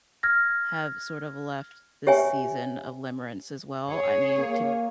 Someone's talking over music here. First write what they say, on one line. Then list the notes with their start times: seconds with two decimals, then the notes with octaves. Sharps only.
have sort of left this season of limerence as well, I mean, to
0.23 F6 G#6 A#6
2.07 G4 C#5 E5 G5 G#5
3.90 G#4 C#5
4.39 A#3